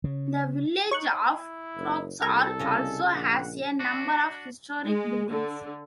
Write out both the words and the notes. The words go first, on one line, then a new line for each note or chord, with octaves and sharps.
The village of Croxall also has a number of historic buildings.
C#3
D#4 C#5 C#6 F#6
E4
F#1
C2 A4 A#4 A#5 G#6
C#3 C#4 D#5
A#1 F#5
D4 F#4
G#3
D3